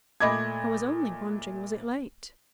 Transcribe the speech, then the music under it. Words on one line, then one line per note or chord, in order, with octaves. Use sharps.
I was only wondering was it late.
A#2 A3 D#5 B5 D6 G#6